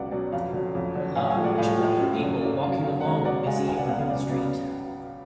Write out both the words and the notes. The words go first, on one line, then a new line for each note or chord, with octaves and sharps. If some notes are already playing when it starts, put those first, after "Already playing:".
Large amount of people walking along a busy urban street.
Already playing: C#2 B2 F#3 C#4 D5 F#5
B2 F#3 C#4 D5
F2 F5
D3 F#3 C#4
F2
D3 F#3 C#4
A2 F5 G#5
F5 G#5
F3 A3
D5 F#5
A2 F5
F3 A3
F#2
D3 F#3
F#2 D5
D3 F#3 F5
B2 F5
F#5
G#3 C#4 F5
B2 D5 F#5
G#3 C#4 F5 G#5
C#2 F5 G#5
D5 F#5
C#3 F#3 B3 F5
F5
C#2 D5
C#3 F#3 B3 D5